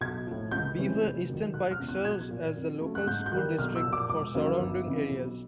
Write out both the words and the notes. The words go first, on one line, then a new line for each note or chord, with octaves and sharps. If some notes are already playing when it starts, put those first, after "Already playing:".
Beaver Eastern Pike serves as the local school district for surrounding areas.
B1 G#6
A2 F3
C#2 G6
C3 E3 G#3 C#4
F1
F2 C3 D#3 F#3
E1 F#6
F6
E2 C#3
F#6
B1 G#6
A#2 F3
F2
C#3 F#3 A3
F#6
G#2 G6
G6
D#3 G3 A#3 F#6
B1 F6
E6
A#2 F3
D6
E1 D6
D#2 C#3 F#3 A#3
G1
F2 C#3 E3
B1